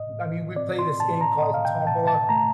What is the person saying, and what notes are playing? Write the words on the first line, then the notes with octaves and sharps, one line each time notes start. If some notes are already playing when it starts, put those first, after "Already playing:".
I mean, we play this game called Tombola,
Already playing: A2 D#5
A2
C4 D5
C6
A2 A5
A#5
A2 D#5
F5
G5
G5
A2 A5
A5
A3 A#5